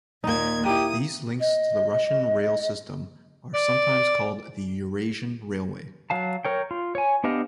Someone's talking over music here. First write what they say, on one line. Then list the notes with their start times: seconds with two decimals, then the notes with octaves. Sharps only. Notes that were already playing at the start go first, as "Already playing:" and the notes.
These links to the Russian rail system are sometimes called the Eurasian Railway.
0.24 D#2 A#2 A#3 D#4 G#6
0.65 A#3 E4 G4 D#6
1.40 D#5
3.54 D5
6.10 F#3 F5 A5
6.45 A#4 C#5 G5
6.71 F4
6.95 C#5 G#5
7.24 B3 D4 G4 D#5 F5